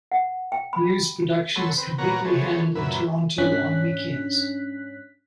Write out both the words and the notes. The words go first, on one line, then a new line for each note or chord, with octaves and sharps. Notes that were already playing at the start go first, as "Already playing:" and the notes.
News production is completely handled in Toronto on weekends.
F#5
G5
B5
F#3 A4 C#5 B5 C6 E6
C4 B4
A#2 B3 C#5 F#5 A#5
E3 B3 G#4 A4 C5 C#5
F#2 A#2 B4 E5
G#2 C#4 D4 F#6 B6